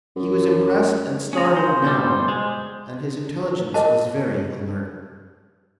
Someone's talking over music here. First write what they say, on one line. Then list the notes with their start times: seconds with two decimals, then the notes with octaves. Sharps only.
He was impressed and startled now, and his intelligence was very alert.
0.16 F#2
1.33 C#4 G#4 A#5
1.57 C5
1.84 B2 G3
2.28 G#3
3.74 A#4 D#5 A5